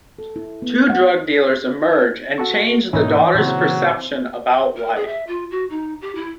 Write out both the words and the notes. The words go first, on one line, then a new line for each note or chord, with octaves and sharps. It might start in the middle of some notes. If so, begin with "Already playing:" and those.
Two drug dealers emerge and change the daughter’s perception about life.
A4
E4
B3
F#5
F#4 A4 C#6
G#2 B2 E3 A#3 C#4 D#4 E4
A#2 C#3 F#3 C4 E4 C5
A#4
G#4
E5
F4
F#4
D#4
G4
E4